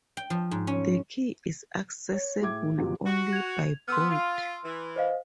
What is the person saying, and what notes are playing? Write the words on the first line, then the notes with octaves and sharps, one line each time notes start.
The key is accessible only by boat.
G5
F3
G#2
C#4
C#5
A2 G#4 E5 D6 G#6
G1 D#2 C3 F3 F#3
F#4
G#6 F7
B3 C6 E6 F6
F4
E3
C5 D#5 F5